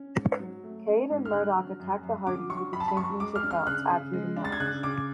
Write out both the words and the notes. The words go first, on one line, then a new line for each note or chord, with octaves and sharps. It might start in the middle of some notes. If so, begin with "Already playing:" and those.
Cade and Murdoch attacked the Hardys with the championship belts after the match.
Already playing: C#4
G#2
F#3
A3
C#4
G#2
F6
D3 F#6
F#3
F#2
F#2
D3 D6
F#3 C#6
F#2 B5
A5
B5
F#2 C#6
G#3 D6
F6
D4
F6
C#3 F#6
C#3
G#3
D4
A6
G#6
C#3 F#6
C#3 D6